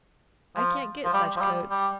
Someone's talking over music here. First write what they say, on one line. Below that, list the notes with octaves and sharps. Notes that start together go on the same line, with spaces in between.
I can't get such coats.
F3
F3
G3
F3
G3
G3